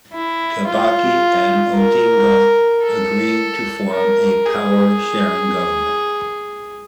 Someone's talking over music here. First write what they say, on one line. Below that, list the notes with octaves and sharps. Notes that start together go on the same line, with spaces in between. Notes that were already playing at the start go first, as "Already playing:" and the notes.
Kibaki and Odinga agreed to form a power-sharing government.
E4
F4
A#4
A4
A#4
G#4